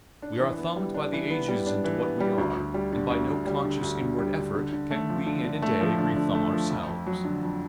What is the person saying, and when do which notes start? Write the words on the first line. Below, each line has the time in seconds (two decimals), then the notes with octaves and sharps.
We are thumbed by the ages into what we are, and by no conscious inward effort can we in a day rethumb ourselves.
0.22 D4
0.40 E3
0.58 B3
0.76 G3
0.94 D4
1.12 E3
1.30 B3
1.48 G3
1.66 D4
1.84 E3
2.02 B3
2.20 G3
2.38 D2
2.57 D2
2.74 G3
2.93 D3
3.10 D2
3.29 D2
3.47 G3
3.64 D3
3.82 D2
4.00 D2
4.18 G3
4.36 D3
4.55 D3
4.73 D3
4.91 A3
5.09 F3
5.26 D3
5.45 D3
5.62 A3
5.80 F3
5.99 D3
6.16 D3
6.35 A3
6.53 F3
6.70 F2
6.88 F2
7.06 F#3
7.25 D3
7.43 F2